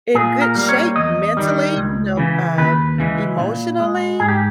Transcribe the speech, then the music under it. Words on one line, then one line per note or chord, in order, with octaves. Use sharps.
in good shape mentally, you know, uh, emotionally.
A#2 G#4
A#4
G3 A#3
C#5
E2 D#5
D#3 G3
C#2
C#3 E3
D#2 B4
C#3 E3 G#3
A#2
G#3
G#2 G#4
G4